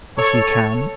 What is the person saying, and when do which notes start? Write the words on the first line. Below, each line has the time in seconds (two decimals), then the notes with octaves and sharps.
"If you can."
0.18 A4 C#5